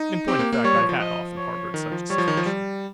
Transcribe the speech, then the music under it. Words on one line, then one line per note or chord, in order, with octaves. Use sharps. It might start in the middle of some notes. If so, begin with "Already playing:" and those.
In point of fact, I had often harbored such a suspicion.
Already playing: D#4
C4 G4
A#3
A#3
G3 C#5
F3
F3
F3 D#5
C#5
D#3
F3
G3 C#5
F3
D#3
F3
G3